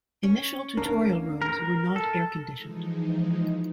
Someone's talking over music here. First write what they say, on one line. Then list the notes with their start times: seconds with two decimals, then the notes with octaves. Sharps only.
Initial tutorial rooms were not air-conditioned.
0.23 C#4
0.77 D2 A#3 D4 A#4
1.42 A#4
1.96 A4
2.56 E3 F3 G#3 D#4